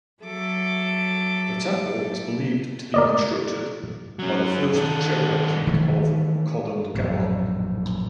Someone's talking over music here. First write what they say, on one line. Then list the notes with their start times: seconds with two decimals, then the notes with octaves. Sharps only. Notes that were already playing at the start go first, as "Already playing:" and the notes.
The temple is believed to be constructed by the first Chera king of Kodungallur.
0.23 F#3 A4 E5 D6
2.94 A#4 D5 D#5
4.19 F#3 C#4
4.75 D#3 A4
5.67 D#3 E3 G3 A3
6.95 A#1 F#2 A2